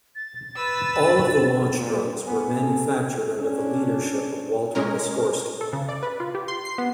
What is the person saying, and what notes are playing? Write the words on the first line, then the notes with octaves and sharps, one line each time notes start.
All of the launch drugs were manufactured under the leadership of Walter Piskorski.
A6
B4 E6
A#2
B3 G#4
A4
C#4 D4
G#3 C#4 A#4
A4
C#3
D5
B4
F4
G4
C6
C7
B3